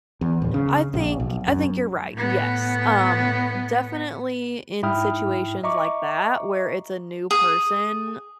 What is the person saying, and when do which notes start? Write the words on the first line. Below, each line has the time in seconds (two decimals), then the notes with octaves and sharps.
I think I think you're right, yes, um, definitely in situations like that where it's a new person
0.21 E2
0.42 D1
0.54 C#3
0.94 A#1
1.20 B1
1.48 F#2
2.14 A2 B3
4.83 G#2 E4 G5 D#6 F6
5.63 D#5 E5 A#5 C#6 D6
7.31 G#4